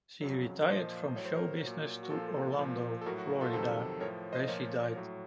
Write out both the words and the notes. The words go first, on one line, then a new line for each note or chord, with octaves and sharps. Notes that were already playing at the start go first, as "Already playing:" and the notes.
She retired from show business to Orlando, Florida, where she died.
F2 C#3 F#3
A#2 F3 C5 D#5
A2 F#3 C#5
C5
A#4 C#5
A#2 F#3
F#4
A#2 F3 F4 A4
A#2 F3
A4
A2 F#3 F#4 A#4
F#4
F#4
F4 A4
F2 C3 D#3 F#3 A4 C5
A2 F3 A#4 C#5
C5 D#5
A#2 F3 A#4 C#5
A2 F#3